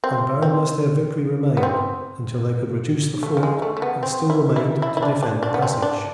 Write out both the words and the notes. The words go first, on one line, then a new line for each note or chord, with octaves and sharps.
And barren must their victory remain until they could reduce the fort that still remained to defend the passage.
C4
C4
B3
C4
A3
F3
G#3
A3
A3
B3
C4
E4
E4
E4
E4
D4
D4
D4
B3
C4
D4